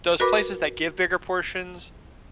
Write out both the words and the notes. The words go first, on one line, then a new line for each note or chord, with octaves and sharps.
those places that give bigger portions,
F#4 A#4 B4 B5 D6